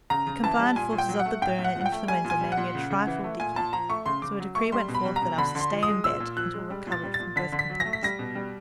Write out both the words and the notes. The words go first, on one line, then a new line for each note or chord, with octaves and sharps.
The combined forces of the burn and influenza made me a trifle dicky, so a decree went forth that I was to stay in bed until recovered from both complaints.
C#3 A#5
C#3
E3 A5
G3
A#2 G#5
A#2
G5
F#3
F#5
A3
A2 G5
A2
F#5
F3
F#5
G5
A3
G3 G#5
A#2
G#5
G3
F#5
A#2
C#3
C#3
E3
A3
A#2 G#5
A#2 A5
F3 A#5
A3 C#6
C#3 C6
C#3 D6
F#3
A3 C#6
G3 C6
B2
B5
G3
A#5
B2
D3 B5
D3
C6
F3
D#6
G#3
A#2 E6
A#2
F3 F#6
G#3
G3
A#2
A6
G3
A6
A#2
D3 B6
D3
B6
F#3
A#6
A3
B6
G3 A#6
B2
G3